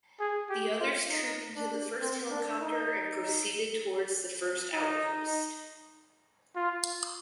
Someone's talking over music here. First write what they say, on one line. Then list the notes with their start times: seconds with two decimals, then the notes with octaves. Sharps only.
The others trooped into the first helicopter and proceeded towards the first outpost.
0.20 G#4
0.50 G4
0.80 F4
1.10 D#4
1.56 D4
2.01 C4
2.31 D4
2.62 D#4
4.73 D#4
6.55 F4